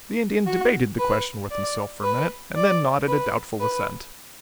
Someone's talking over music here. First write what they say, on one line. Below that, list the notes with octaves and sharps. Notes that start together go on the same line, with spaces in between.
The Indian debated the question with himself for a minute and then nodded a doubtful assent.
F#4
B4
D5
B4
D5
B4
B4